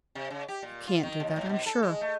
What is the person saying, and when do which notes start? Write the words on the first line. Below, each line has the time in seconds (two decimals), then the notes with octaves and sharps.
You can't do that, I'm sure.
0.15 C3
0.30 C#3
0.48 G4
0.62 A#2
0.87 F4
1.03 D#3
1.20 D#2
1.36 A2
1.49 B2
1.66 A4
1.83 G#3
2.01 A3